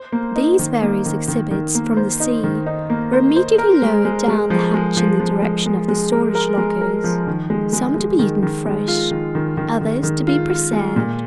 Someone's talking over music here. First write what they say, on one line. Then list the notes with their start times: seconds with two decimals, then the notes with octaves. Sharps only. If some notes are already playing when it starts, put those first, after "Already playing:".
These various exhibits from the sea were immediately lowered down the hatch in the direction of the storage lockers, some to be eaten fresh, others to be preserved.
Already playing: C5
0.12 A#3
0.36 D#4
0.59 D#3
0.82 A#3
1.06 D#3
1.28 D#3
1.51 D#3
1.75 A#3
1.97 C5
2.20 D#4
2.44 D#3
2.66 D#4
2.90 A#3
3.13 C5
3.36 C5
3.58 A#4
3.82 G#3
4.05 G#3
4.28 G#3
4.50 F3
4.74 G#3
4.97 F3
5.20 F3
5.42 G#3
5.66 G#3
5.88 G#3
6.12 A#4
6.35 A#4
6.58 G#3
6.81 A#4
7.04 F3
7.27 D#3
7.50 G#3
7.73 G#3
7.96 G#3
8.19 D#3
8.43 D#3
8.66 G#3
8.88 F4
9.11 D#3
9.35 D#3
9.57 D#3
9.81 D#3
10.03 D#3
10.27 F4
10.50 F4
10.73 G#3
10.96 A#2